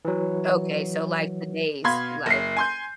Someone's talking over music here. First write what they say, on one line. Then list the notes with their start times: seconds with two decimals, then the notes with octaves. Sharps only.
Okay, so, like, today's life?
0.05 E3 F#3
1.84 B2 F5 B5 C6 G#6
2.26 F#1 C7
2.57 G#5 C6 G6